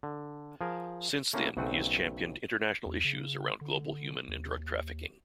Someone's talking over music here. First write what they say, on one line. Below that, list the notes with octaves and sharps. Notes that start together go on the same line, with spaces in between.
Since then, he has championed international issues around global human and drug trafficking.
D3
F3 G#4 A#4
A3 A#3 C#4 E4 F#4
B1 C#3 A3 C4 F#5
E2
C#3
D3
D#2